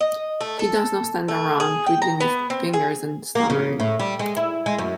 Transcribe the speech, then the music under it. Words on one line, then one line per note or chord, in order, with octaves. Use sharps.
He does not stand around, twiddling his fingers and stammering.
D#5
A3
A4
A3
G#4
G5
A#5
B3
C4
G#4
A#3
C#3
A2
G3
G#3
E4
G#3
F#2